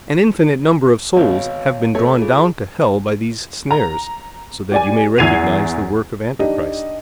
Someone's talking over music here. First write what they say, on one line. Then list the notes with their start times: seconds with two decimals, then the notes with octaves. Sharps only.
An infinite number of souls have been drawn down to hell by these snares, so that you may recognise the work of antichrist.
1.16 G#1 B2 C#5 F5
1.95 A3 C#5
2.19 F4 G#4
3.71 A#5
4.72 G4 D5 G#5
5.18 E2 E4 G#6 C7 D#7 F7
6.39 D4 D#4 G4 D#5